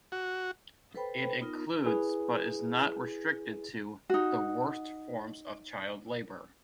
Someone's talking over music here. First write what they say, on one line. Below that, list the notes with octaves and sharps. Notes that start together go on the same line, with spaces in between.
It includes, but is not restricted to, the Worst Forms of Child Labour.
F#4
A4 B4 C5 G5 B5
B3 D#4 F4 A#4
E4 G#4 B4
D#4 F#4